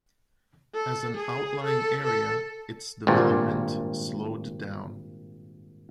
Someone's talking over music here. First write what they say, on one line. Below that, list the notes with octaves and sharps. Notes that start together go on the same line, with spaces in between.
As an outlying area its development slowed down.
A4
G#4
A4
A4
G#1 G2 A#2